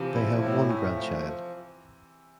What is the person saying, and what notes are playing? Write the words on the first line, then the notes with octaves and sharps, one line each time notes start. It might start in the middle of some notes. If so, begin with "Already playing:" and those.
They have one grandchild.
Already playing: C3 E3 F3
E4
A2
A3
F3